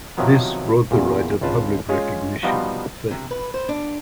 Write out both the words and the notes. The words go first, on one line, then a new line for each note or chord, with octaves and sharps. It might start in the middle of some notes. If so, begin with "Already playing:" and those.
This brought the writer public recognition and fame.
C3 D#3 F3 F#3 B3 A#4
E2 A#2
G#1 C#2 F4 B4 A5
G#3 C#4 F4 G#4 C#5
F3 G3 B3 D#4 F4 F#4
C3
B4
C5
D4